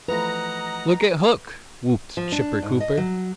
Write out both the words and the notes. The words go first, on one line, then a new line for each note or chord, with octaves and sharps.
"Look at Hook!" whooped Chipper Cooper.
E3 F3 A3 B4 D#5 F#5 A#5
F3
D4
G#2
D#5
F#3